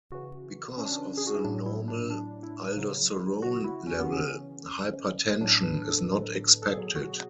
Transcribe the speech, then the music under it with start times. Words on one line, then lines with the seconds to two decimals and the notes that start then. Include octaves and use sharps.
Because of the normal aldosterone level, hypertension is not expected.
0.12 C#3 E3 F#4
0.78 C#4
0.85 D4
0.92 C#4
1.17 G#4
1.27 F#4
1.35 E4
1.44 A2 F#3 D4
1.66 E4
1.88 D4
2.10 D4
2.43 E4
2.77 C#3 F#3
3.42 F#4
3.64 E4
3.87 C#4
4.00 B3
4.09 C#3 E3 C#4
5.41 A2 F#3 D4
5.63 B4
5.85 A4
6.62 A4
6.73 B2 F#3 G#4
6.96 F#4